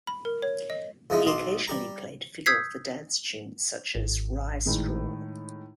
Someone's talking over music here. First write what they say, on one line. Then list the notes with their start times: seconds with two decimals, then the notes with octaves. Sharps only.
He occasionally played fiddle for dance tunes such as "Rye Straw".
0.07 B5
0.25 A#4
0.42 C#5
0.70 D#5
1.10 F2 C#3 F3 G#3 C#4 E4
1.25 B1 D#5 C6 D6
1.68 G3 G4 A#5
2.46 D#6 E6 G6 G#6 B6 C7
3.95 G#1
4.66 A2 D#3 G#3